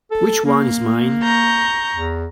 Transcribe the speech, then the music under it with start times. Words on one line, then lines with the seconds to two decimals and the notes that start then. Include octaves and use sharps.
Which one is mine?
0.11 A4
0.45 A#3
1.23 A#5 C#6 G6
1.95 E2